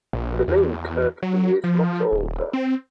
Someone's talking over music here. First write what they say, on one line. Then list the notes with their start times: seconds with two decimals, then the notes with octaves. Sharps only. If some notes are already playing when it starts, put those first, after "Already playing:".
The name Kirkby is much older.
0.13 A#1
0.48 E2
1.22 F#3
1.64 F3
2.12 D#1
2.53 C4